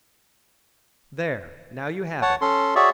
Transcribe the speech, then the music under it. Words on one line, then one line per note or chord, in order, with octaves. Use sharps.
There! now you have it.
C#5 F#5 A5
C#4 A4 C6
F#4 G#4 C#5 D5 E5